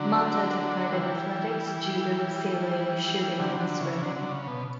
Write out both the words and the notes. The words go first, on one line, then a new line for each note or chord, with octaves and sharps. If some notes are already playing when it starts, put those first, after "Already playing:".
Malta took part in athletics, judo, sailing, shooting and swimming.
Already playing: D3 F#3
E3 G3
D3 F#3
D3 F#3
C#3 E3
E3
D3 F#3
D3 F#3
C#3
B2